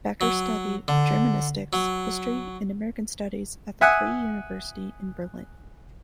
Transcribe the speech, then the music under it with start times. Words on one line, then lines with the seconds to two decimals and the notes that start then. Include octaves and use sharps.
Becker studied Germanistics, History and American Studies at the Free University in Berlin.
0.21 F#3
0.88 D3
1.73 F#3
3.81 E5 F#5 G#5 D#6 F#6